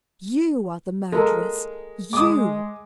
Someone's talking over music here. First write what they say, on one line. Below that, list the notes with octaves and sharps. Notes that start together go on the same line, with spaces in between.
You are the murderess--you!
G#3 A4 A#4
G#3 D6 D#6